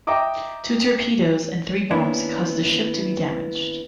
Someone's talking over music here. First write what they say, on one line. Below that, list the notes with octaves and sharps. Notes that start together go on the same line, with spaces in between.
Two torpedoes and three bombs caused the ship to be damaged.
D#5 E5 G5 A#5 D6 D#6
D#3 A#3 B3 C#4 D4 E4